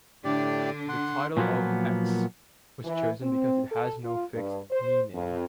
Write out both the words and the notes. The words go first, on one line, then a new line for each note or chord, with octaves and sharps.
The title of "X" was chosen because it has no fixed meaning.
A2 D3 D4 G4 D5
F#5 C6
A#2 F3 F#3 A#3 B3
E3
C4
A4
F4
G2
C5
F2